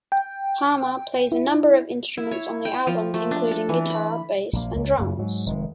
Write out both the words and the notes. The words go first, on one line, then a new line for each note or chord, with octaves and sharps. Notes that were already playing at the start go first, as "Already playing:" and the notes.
Harmer plays a number of instruments on the album, including guitar, bass, and drums.
G5
E4
E4
C#5
G5
F3
A3
D4
A4
E3
B5
A#1 A#3
C#2
F#2 C#3 A#3
G#2 F#3
F1 D#3 G#3